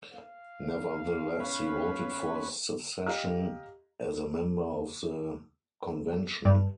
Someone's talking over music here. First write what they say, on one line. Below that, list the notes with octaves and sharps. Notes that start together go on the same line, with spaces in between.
Nevertheless, he voted for secession as a member of the convention.
F5
C#4 B4
G4 D#5 F5 A#5 F6
G2